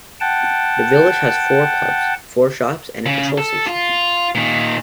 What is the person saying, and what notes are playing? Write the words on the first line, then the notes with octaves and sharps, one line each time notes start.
The village has four pubs, four shops, and a petrol station.
F#5 G5 A5
C#3
A4
F4
A#2 D#3